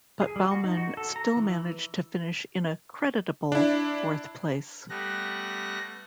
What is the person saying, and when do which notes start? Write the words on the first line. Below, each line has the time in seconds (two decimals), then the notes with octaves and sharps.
But Baumann still managed to finish in a creditable fourth place.
0.22 G#4
0.36 G3
0.51 F#4
0.64 D#4
0.77 F#4
0.97 A4
1.16 A#5
1.37 E3
3.52 D4 E4
4.89 G3 A3 B3 F#6 A#6